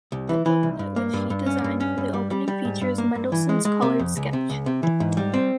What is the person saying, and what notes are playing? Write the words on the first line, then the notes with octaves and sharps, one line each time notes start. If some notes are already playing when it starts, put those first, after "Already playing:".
The booklet which he designed for the opening features Mendelsohn's coloured sketch.
C2
E3
E3
C2
G2
A#3
G2
G2
C#4
G2
C#4
G2
G3
G3
G3
G#2
G2
A#3
G2
E3
G#3
G#3
C3
F2
C#2
C3
C#2
C3
E3
G#2
G3
C4